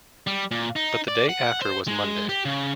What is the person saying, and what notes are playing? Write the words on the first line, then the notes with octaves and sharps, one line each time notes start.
But the day after was Monday.
G3
A#2
D#4
D5
F#5
C5
G#3
G4
C#3